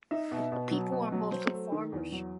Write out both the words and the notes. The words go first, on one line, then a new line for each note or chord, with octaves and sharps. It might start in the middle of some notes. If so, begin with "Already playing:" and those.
The people are mostly farmers.
D#4 E5
B2
B2
F#3
B2
F#3
F#3 C5
A3
D#3
E2
F#3